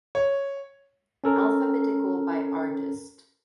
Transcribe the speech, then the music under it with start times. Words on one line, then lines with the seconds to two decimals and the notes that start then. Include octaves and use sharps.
Alphabetical by artist.
0.15 C#5
1.24 C#4 A4 A#4